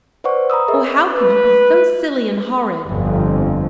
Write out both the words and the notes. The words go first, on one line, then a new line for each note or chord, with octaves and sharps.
Oh, how could you be so silly and horrid?
B4 C5 D5 F#5 C#6
A#5 B5 D#6 E6
G#4 A#4 D#5 E5
B4
G1 F2